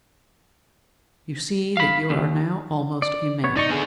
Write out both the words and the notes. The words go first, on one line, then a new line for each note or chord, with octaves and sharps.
You see that you are now almost a man.
F5 B5
D#2
D5
B3 C#5
D#4 D5 C#6
D3 B3 G#4